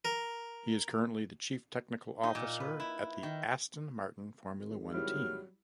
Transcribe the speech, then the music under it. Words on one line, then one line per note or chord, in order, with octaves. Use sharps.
He is currently the chief technical officer at the Aston Martin Formula One team.
A#4
D#4
A#2
B4
E4
D#3
G#1
F#3 G3 E4 F6